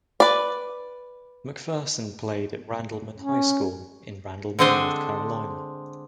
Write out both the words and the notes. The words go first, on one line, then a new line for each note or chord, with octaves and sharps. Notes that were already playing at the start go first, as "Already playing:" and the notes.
McPherson played at Randleman High School in Randleman, North Carolina.
B4 D5
C#4
D3 G#3 C4 D4 C5 G#5